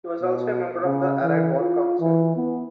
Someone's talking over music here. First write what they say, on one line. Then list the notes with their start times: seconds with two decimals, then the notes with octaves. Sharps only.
He was also a member of the Allied War Council.
0.22 B2
0.85 C#3
1.23 E3
1.60 F4
2.00 E3
2.37 B3